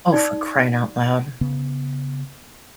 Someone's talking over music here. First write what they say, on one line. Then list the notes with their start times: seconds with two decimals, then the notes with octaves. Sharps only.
Oh, for crying out loud.
0.12 D#4 D5
1.41 C#3 B3